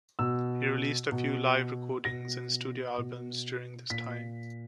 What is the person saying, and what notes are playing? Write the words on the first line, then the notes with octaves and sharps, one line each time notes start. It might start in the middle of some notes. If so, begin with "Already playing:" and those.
He released a few live recordings and studio albums during this time.
B2 E6
B2
B2 A#6
B2
A#2 B6